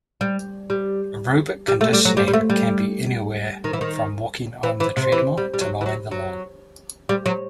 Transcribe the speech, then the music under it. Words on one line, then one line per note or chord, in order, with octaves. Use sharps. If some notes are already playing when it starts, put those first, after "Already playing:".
Aerobic conditioning can be anywhere from walking on the treadmill to mowing the lawn.
G3
G3
G3
A3
G3
F#3
G3
G3
A3
G3
D#3
E3
D#3
E3
E3
C3
E3
G3
G3
F#3
E3
F#3
F#3
G3
F#3